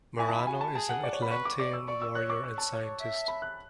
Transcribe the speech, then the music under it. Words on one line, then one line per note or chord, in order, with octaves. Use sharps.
Meranno is an Atlantean warrior and scientist.
E4 G#5
A5
B5
F#4 G#5
A5
G#4 A5
F#5
D5
C#5
B5
B4 C#6
D6
D5 D6
E6
D5 C#6
E6
C#5 F#6
D6
C#6
A5
C#5
E5
B5
F#6